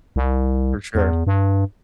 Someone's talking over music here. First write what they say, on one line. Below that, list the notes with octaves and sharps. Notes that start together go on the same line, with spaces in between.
For sure.
C2
E2
G2